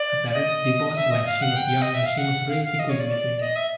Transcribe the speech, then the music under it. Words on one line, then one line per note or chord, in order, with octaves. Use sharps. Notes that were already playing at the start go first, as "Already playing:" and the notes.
Her parents divorced when she was young and she was raised equally between them.
Already playing: D5
D#5
E5
D#5
F5
F#5
G5
D#5
E5
F5
F#5
F5
F5
D#5
C#5
D5
D5
D#5
E5